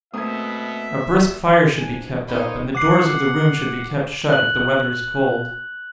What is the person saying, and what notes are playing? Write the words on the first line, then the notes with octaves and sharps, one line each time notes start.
A brisk fire should be kept up, and the doors of the room should be kept shut, if the weather is cold.
B2 A3 A#3 C4 E5 A#5 D#6 G#6
C2 D4 G#5
A#3 B3 D#4 C5 C#5
F#5 D6 C7
F#6 F#7